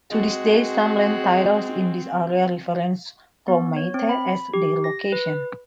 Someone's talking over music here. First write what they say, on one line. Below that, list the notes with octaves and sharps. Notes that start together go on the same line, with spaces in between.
To this day some land titles in this area reference Roimata as their location.
G#3 C4 F#4 G#4
B3
C#5
C4
B5
G4
A#6
B4